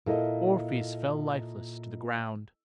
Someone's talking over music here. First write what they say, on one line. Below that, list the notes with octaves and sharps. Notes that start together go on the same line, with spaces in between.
Orpheus fell lifeless to the ground.
A#2 A#3 E4 A4 D#5